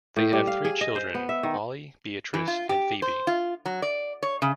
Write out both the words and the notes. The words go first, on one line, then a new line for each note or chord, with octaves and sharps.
They have three children, Holly, Beatrice and Phoebe.
A2
G3
F5
G#4
D#5
C5
B3
E5
D#3
E3
F4
G4
C5
F4
F#3
D5
C#5
C#3